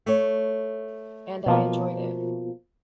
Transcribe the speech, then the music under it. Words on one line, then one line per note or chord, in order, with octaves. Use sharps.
And I enjoyed it.
A3 C#5
B2 F3 A#3